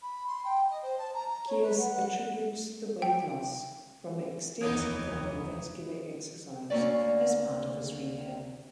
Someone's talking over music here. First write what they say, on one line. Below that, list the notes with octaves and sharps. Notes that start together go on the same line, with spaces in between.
Kearse attributes the weight loss from extensive cardio-vascular exercise as part of his rehab.
B5
C6
G5
D#5
C5
A5
A#5
A#5
C#5
B4
F#5
F#5
G5
F1 D#2 E3 B3 D#4 C#5 D#6
D2 D3 A#3 C#4 D5